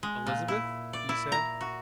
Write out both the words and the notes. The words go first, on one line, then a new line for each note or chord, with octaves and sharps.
"Elizabeth?" he said.
G#3
A#2
E4
D5
E4
A#5
F#4